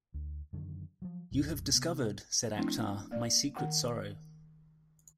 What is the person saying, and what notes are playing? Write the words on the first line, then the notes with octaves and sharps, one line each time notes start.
"You have discovered," said Akhtar, "my secret sorrow."
D2
F#2 D3 D#3 F#3
F3 F#3
A#1 F2 A2
C3 B3
F3 A3 C4 D4 E4
A#3 D5
D#3 F#5 G5